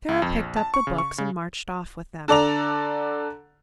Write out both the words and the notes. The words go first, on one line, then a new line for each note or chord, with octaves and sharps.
Sara picked up the books and marched off with them.
C#2
F2
A#1
A5
C#6
C#3
C#6
C#3
D3 A4 D5 A#5 F7